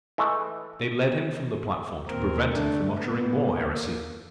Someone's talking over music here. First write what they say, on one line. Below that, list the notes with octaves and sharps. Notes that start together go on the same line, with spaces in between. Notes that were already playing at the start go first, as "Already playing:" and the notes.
They led him from the platform to prevent him from uttering more heresy.
E3 G#3 A3
D#2 A#2 C4 A#4
D3 A3 D4
B3
A#3